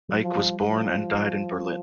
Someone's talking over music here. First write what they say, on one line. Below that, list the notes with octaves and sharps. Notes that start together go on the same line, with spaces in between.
Eicke was born and died in Berlin.
F#3
F3
G3
F3